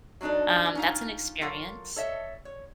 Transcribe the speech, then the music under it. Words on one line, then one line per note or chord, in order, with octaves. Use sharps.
Um, that's an experience."
F#3 G3 D4 D#4 A4
C#4 D#4 F4
F#3 F4 A4 A#4 F5
A4 C#5 D#5 E5
C#5